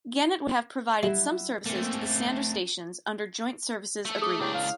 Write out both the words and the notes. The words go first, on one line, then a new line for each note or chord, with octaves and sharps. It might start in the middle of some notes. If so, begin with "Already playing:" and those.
Gannett would have provided some services to the Sander stations under joint services agreements.
F#3 G3 E4 E5
A3 A#3 C4 C#4
A3 A4
G#4 D#6
C#2 D4 E4 G4 C#5 C#6
F5